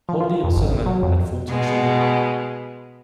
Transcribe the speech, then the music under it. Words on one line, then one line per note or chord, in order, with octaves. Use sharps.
Hoadley and Susannah had fourteen children.
F3
F4
F2
G#1
F#3
F2
B2 G#3